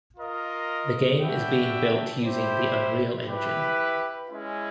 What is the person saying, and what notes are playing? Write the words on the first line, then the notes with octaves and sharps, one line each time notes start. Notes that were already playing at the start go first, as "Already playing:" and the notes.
The game is being built using the Unreal Engine.
F4 A#4 D#5
D4 F#4 B4 E5 G5
E4 G4 C5
E4 G4 B4
G#3 C#4 E4